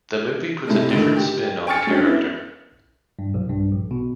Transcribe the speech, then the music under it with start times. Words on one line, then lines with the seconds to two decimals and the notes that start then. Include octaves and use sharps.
The movie puts a different spin on the character.
0.67 A2 C3 G#3 A3
0.90 C#2 A2 D3 D#3
1.16 G4
1.67 G5 G#5 C#6 F6 A6 C#7
1.87 F#3 G#3 C#4 D4
2.05 B3 C#4 E4
3.19 G2
3.34 B1
3.50 G2
3.72 A#1
3.91 B2